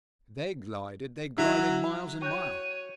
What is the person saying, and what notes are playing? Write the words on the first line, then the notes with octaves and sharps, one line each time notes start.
They glided--they glided miles and miles.
F#3 E4
F#4 C#5 G5 D#7